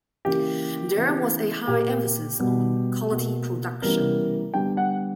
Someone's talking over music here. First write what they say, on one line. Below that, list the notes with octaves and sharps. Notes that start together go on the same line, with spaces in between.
There was a high emphasis on quality production.
C#3 E3 A#3 G4
C#3 E3 B3
A#2 A#3 G4
B2 G3 B3
B2 A#3
C#3 E3 G3 B3 A#4
D3 G3 B3 G5
F#5